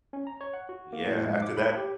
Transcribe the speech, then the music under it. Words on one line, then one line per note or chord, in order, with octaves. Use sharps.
Yeah, after that
C#4
A#5
C#5
F#5
F#4
A#3
A2
G#2
D6
B5
G4